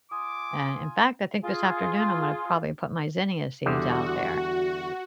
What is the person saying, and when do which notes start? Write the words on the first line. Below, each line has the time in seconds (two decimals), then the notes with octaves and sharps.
And in fact, I think this afternoon I'm gonna probably put my zinnia seeds out there.
0.11 F4 G#5 D6 D#6
1.44 F4 G#4
3.66 E2 D3 G3 F#4